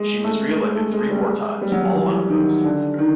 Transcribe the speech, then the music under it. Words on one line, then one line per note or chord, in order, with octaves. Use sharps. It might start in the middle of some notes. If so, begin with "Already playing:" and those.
She was reelected three more times, all unopposed.
Already playing: G#3
A3
G#3
A3
G#3
G3
G#3
G3
F#3
G3
E3
D#3
D3
D#3